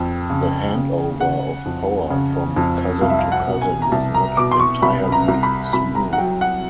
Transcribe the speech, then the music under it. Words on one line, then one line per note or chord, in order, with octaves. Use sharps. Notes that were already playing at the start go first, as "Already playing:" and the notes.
The handover of power from cousin to cousin was not entirely smooth.
Already playing: F2 G5
C#3
C#3
C#3 F#5
F2
C#3
F2
C2 F5
E5
F5
F#5
B2
G#5
A#5
C2 A5
A#5
B2 D6
C6
C#6
C2 B5
A#5
C2
B5
C2 B5
A#5
F#5
F#3 G5
F#5